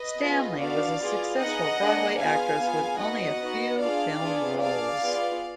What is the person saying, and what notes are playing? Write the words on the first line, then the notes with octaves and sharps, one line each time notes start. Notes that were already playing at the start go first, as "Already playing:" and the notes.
Stanley was a successful Broadway actress with only a few film roles.
Already playing: B4 D#5
B3 F4 G#4
B3 D4 F#4 D5 F5
B3 F4 G#4
B3 D#4 G#4 D#5 F#5
A#3 D4 G#4
B3 F4 G#4 F5 G#5
B3 F4 G#4
B3 D#4 F#4 D#5 F#5
B3 D#4 F#4
D4 F4 G#4 D5 F5
B3 D4 F4 G#4
D4 G#4 D5 F5
B3 F4 G#4